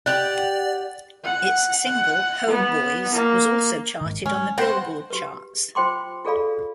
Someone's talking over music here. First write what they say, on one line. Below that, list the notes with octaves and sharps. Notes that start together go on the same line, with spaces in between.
Its single "Homeboyz" was also charted on the "Billboard" charts.
G4 D5 F#5
F#5
F#5
B3
A#3
G#2 D#3
G#3 C#4
B2 C4 C5 F#5 G5
F#4 G4 B4
F4 C5 G5 C6 D6
F4 G#4 A4 D5 F5 B5